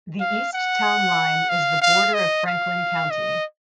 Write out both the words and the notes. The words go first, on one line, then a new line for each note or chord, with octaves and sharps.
The east town line is the border of Franklin County.
F5
F#5
F5
F5
D#5
F5
D#5